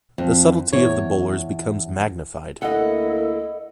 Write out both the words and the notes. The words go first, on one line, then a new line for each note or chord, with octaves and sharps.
The subtlety of the bowlers becomes magnified.
F2
E2 C#5
D2 A#3 E4 A4 D#5 F#5